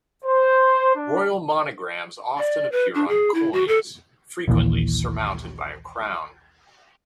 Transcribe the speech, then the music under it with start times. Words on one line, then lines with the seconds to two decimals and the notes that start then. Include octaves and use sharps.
Royal monograms often appear on coins, frequently surmounted by a crown.
0.25 C5
0.95 D4
2.38 D5
2.72 B4
2.95 D4
3.08 G#4
3.34 E4
3.53 F#4
3.68 A4
4.48 A#1 D#2 A#2 E3